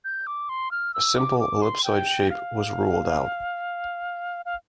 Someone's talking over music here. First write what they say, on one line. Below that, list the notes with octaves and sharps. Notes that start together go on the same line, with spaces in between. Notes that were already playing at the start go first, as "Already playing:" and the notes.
A simple ellipsoid shape was ruled out.
G6
D6
C6
F6
E6
D6
D6
C6
G5
F5
F5